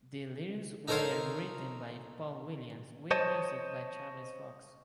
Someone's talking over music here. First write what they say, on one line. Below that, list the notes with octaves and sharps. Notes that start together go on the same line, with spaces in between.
The lyrics were written by Paul Williams with music by Charles Fox.
D#4 A4 A#4 C5 C#5 F5
C5 C#5 D#5 A5